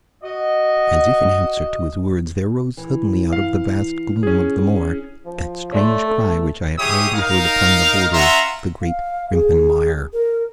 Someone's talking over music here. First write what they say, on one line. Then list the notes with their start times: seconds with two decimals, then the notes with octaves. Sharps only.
As if in answer to his words there rose suddenly out of the vast gloom of the moor that strange cry which I had already heard upon the borders of the great Grimpen Mire.
0.23 F#4 D#5
2.77 E3
3.33 F5
4.23 C#4 G#4
5.26 F3
5.72 A3 C#5 D5 C6
6.06 A4
6.78 G#3 E4 G4 G#4 C#5 D#6
7.14 D#4 A#4 F5
8.13 C#4 F4 E5 F#5 A#5 C6
8.82 F5
9.31 G#4
10.13 A#4